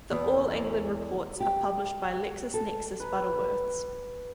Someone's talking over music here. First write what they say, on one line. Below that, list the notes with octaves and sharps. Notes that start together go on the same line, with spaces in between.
The All England reports are published by LexisNexis Butterworths.
E2
G4
A4
B4